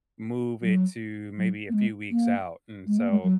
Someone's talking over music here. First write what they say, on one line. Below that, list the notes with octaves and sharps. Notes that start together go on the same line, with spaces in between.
move it to maybe a few weeks out." And so
F#3
F#3
A#3
G#3
A#3
G#3
A#3
G#3
F#3